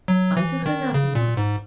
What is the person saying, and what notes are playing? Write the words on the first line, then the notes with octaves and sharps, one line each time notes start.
'I took her nothing, Mother.
F#3
E3
D#3
C#3
A#2
G#2